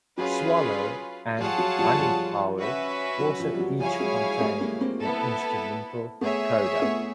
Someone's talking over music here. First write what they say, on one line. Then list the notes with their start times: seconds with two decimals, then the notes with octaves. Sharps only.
"Swallow" and "Honey Power" also each contain an instrumental coda.
0.18 F#3 C#4 F4 G#4 B4
1.38 F3 G3 F4 G#4 C#5 F#5 A5
1.58 F#3
1.78 F3 G3
1.99 F3 G3
2.59 C#4 F#4 B4 E5
3.20 F#3
3.40 F3
3.54 G3
3.59 F#3
3.80 F3 G3 E4 G#4 C#5 F5 G#5
4.00 F#3 G#3
4.40 G3 A3
4.61 G#3 A#3
4.81 A#3 C4
5.00 B3 E4 A4
6.21 A3 B3 G#4 C#5 E5
6.82 A3 B3